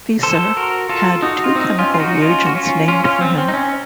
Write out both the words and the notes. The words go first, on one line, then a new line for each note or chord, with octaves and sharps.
Fieser had two chemical reagents named for him.
A4 C5
F#4 A#4
F4 A4
D#4 F#4
F4
C4 D#4
C#4 F4
F4
D#4 F#4
C#4 F4
F#4
C#4 F4
C#4 F4
C#4 F4
C4
C4
D#4
C#4